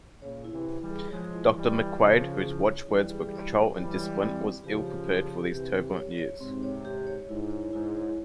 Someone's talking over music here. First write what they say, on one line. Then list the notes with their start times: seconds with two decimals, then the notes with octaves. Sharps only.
Doctor McQuaid, whose watchwords were control and discipline, was ill-prepared for these turbulent years.
0.22 A#2 C#3 C#5
0.44 E4
0.52 C3 E3
0.67 E4
0.81 E3 G3
0.89 G#4
1.10 F3 G#3 C#5
1.33 E4
1.55 E3 G3 E4
1.77 E4
1.98 C#3 F3 C#5
2.21 G#4
2.43 E4
2.65 C#5
2.87 E3 G3 E4
3.10 G#4
3.32 E4
3.53 G#4
3.76 E3 G3 C#5
3.98 G#3
4.20 C4
4.42 G4
4.64 C#3 F3 G4
4.86 G4
5.09 G4
5.30 G4
5.52 C3 E3 G4
5.74 G4
5.96 C#5
6.18 C#5
6.40 G#2 C3 C4
6.63 C#5
6.85 G4
7.07 C#5
7.28 G#2 E4
7.51 C#5
7.73 G#2 E4
7.95 C#5